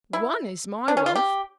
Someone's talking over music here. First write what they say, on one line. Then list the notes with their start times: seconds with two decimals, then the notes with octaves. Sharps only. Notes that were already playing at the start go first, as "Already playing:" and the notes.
ONE is my wealth!
0.13 E4
0.88 D4
0.97 C#4
1.06 F4
1.15 G4